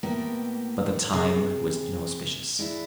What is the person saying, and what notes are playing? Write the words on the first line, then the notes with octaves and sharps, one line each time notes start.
But the time was inauspicious.
A2 A#3 B3 G4
C3 G#4
G#3 D4 E4